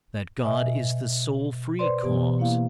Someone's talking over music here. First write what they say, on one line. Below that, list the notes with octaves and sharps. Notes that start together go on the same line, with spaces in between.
That God is the sole free cause.
B2 D#5 E5 G#5
B4 C5 D5 C6
B2 E3 B3 G4
A#3 E4 F5